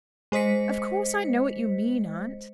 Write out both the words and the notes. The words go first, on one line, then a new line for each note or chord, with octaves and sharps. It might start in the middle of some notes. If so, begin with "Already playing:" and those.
"Of course, I know what you mean, aunt?"
G#3 C5 D#5 B6 C#7